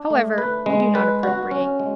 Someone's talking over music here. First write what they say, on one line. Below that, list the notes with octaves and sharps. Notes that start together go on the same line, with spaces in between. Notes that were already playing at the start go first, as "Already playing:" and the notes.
However we do not appropriate.
Already playing: D4
A3
B4
G#3
B4
F#4
C#4
G#3